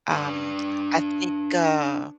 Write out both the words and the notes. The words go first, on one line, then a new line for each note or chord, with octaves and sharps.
Um, I think, uh
D4 B4